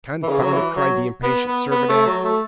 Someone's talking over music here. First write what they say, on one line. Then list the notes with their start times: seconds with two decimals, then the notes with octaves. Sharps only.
"Confound it!" cried the impatient Servadac.
0.23 E3
0.29 C#3
0.42 F#3
0.52 E3
0.76 F#3
1.23 B3
1.47 B3
1.71 B3
1.89 A3
2.06 F#3
2.24 A3